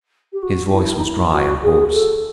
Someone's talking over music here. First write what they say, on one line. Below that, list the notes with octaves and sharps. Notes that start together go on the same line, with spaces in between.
His voice was dry and hoarse.
G4
F#4
E4
D#4
E4
F#4
G#4
A4